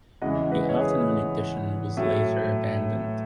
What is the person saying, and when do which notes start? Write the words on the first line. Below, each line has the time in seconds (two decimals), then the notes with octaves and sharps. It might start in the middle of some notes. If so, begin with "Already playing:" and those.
The afternoon edition was later abandoned.
0.22 E2 C#3 E3 G#3 D#5 F#5
0.51 B4 D#5
0.69 C#5
0.80 G#4 B4
1.97 A2 F#3 A3